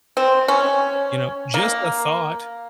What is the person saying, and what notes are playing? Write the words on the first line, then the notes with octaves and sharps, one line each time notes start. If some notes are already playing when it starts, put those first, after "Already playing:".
You know, just a thought."
C4
C#4
A#3